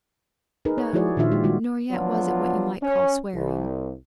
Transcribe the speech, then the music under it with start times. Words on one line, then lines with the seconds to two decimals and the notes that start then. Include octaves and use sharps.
'No, nor yet was it what you might call swearing.
0.65 D#4 G#4 A#4 B4
0.78 C#5
0.93 F3 E4 F#4 G#4 C#5 D5
1.17 A#2 D#3 D4 F4 E5 F5
1.31 G#3 G4
1.43 D#3 G3 G#3 F4 F#4
1.91 F3 F#3 B3 D4 F4 F#4
2.83 C#4
3.34 C2